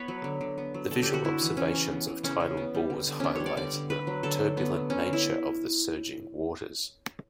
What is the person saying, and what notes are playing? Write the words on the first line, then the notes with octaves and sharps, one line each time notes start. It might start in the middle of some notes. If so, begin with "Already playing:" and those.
The visual observations of tidal bores highlight the turbulent nature of the surging waters.
Already playing: B3 B4 C#5
F#3
D3
D3
B3
F#3
D3 A4
D3 G4
F#4
B3 E4
E3
C#3 C#4
C#3
B3
E3
C#3 C#4
C#3
B3
G3
D3
D3
B3 C#4 D4
G3 C#5
D5
D3 D5
D3
A3 B4
F#3
D3 A4
D3
A3 B3
F#3
D3 C#4
D3
E4